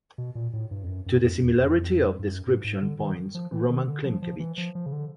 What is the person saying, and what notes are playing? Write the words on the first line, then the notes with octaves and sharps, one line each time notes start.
To the similarity of the description points Roman Klymkevych.
B2
A#2
A2
G2
F2
F#2
F#2
F2
E2
F2
G2
F#2
G#2
G#2
D3
D#3
F3
E3
D#3
D3
F3
F3
E3
F3
F3
C#3
D3